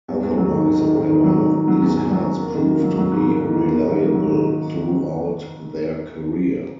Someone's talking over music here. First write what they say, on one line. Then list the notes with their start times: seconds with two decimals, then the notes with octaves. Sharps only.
Otherwise, however, these cars proved to be reliable throughout their career.
0.08 E2
0.23 E2
0.37 F#3
0.52 D#3
0.67 D#3
0.81 D#3
0.96 D#3
1.10 D#3
1.24 F#3
1.39 D#3
1.54 D#3
1.68 F#3
1.82 E2
1.97 E2
2.11 F#3
2.26 E2
2.40 A#3
2.55 D#3
2.69 A#3
2.84 F#3
2.98 F#3
3.12 G#2
3.27 A#3
3.41 D#3
3.56 D#3
3.70 A#3
3.85 D#3
3.99 A#3
4.14 F#3
4.28 D#3